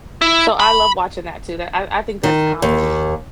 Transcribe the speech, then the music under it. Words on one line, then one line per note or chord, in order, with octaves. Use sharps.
So, I love watching that too that I I think that's comedy.
E4
B5
D#3
D#2